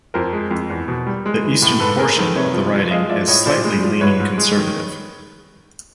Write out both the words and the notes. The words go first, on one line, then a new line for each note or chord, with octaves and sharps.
The eastern portion of the riding is slightly leaning Conservative.
F2 A#4 C5
G#3
F2
E2
B2
G3
G#3
E3
A2
G#2 A4 B4
G#3 G#4 A#4
D#3 A4 B4
C3 B4 C#5
F3
F3
G#3 D#5 F5
F3 D5 E5
A2 C#5 D#5
A#2 C5 D5
G#3
F3
G#2 B4 C#5
G#2
G#3
D#3